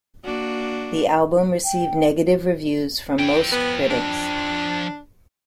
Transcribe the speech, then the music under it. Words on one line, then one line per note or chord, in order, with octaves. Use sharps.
The album received negative reviews from most critics.
A#3 D4 F#4
G5
F3 G5
B3
D4